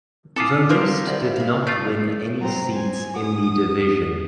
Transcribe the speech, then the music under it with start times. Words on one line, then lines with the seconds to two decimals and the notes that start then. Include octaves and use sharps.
The list did not win any seats in the division.
0.36 C4 F4 A4 F#5 D6 D#6 B6
0.69 A#4 C5 F5
1.07 C2 F#7
1.36 E5 F5
1.67 A3 F4 D5
2.40 F#3 C4 C5 A#5
2.75 G#5
3.15 F#5 D#6